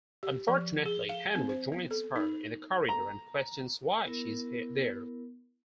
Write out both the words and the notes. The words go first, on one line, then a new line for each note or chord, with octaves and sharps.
Unfortunately, Henry joins her in the corridor and questions why she is there.
G4
F3
G#4
F5
C4
C5
B3
A4
D#4
A#5
B3 E4 A#4